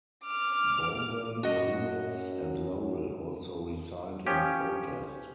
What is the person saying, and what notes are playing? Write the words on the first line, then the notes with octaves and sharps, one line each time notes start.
Bogan, Kunitz, and Lowell also resigned in protest.
D6 F6
F#2 F#4 D#5
F3 C#4 G4